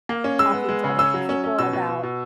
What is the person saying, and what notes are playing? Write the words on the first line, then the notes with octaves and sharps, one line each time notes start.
talking to other people about
A#3
C#4
G#3 E6
B3
G#3
C#3
C#4 E6
F#3
C#4
C#4
B2 E6
B2
B2
B2